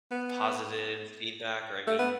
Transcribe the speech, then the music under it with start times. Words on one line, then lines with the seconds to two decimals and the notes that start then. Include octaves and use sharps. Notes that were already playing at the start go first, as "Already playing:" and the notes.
positive feedback or, I mean
0.11 B3
1.87 A3
1.99 B3